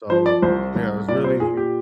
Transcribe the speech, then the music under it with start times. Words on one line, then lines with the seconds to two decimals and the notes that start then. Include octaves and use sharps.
so, yeah, it's really
0.10 F3 C5
0.26 D5
0.42 C2 C5
0.76 C2
1.08 A#2 D5
1.24 C5
1.40 A#2 G#4
1.57 G4